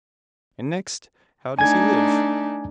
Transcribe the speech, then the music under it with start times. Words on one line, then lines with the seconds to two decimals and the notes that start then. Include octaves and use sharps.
And next, how does he live?
1.59 A3 D4 D#4 G#5 G#6